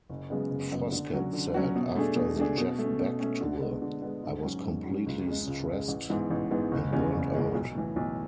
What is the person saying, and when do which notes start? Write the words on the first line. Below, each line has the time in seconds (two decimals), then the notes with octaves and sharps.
Foskett said After the Jeff Beck tour, I was completely stressed and burned out.
0.10 F#1
0.30 F#2 C#3 G#3 B3
0.51 F#1
0.72 F#2 C#3 G#3 B3
0.92 D3
1.13 F#3 C#4 F#4
1.33 D3
1.54 F#3 C#4 F#4
1.76 B2
1.95 A3 D4 G#4
2.16 B2
2.37 A3 D4 G#4
2.57 B2
2.79 A3 C#4
2.99 B2
3.20 A3 C#4
3.41 D3
3.61 G#3 B3
3.82 D3
4.02 G#3 B3
4.23 G#2
4.44 F#3 C#4
4.65 G#2
4.86 F#3 C#4
5.06 C#2
5.27 C#3 G#3
5.47 C#2
5.69 C#3 G#3
5.88 A1
6.10 G#2 E3 B3
6.30 A1
6.51 G#2 E3 B3
6.72 F#1
6.92 E2 C#3 G#3 C#4
7.13 F#1
7.34 E2 C#3 G#3 C#4
7.55 B1
7.75 A2 E3
7.96 B1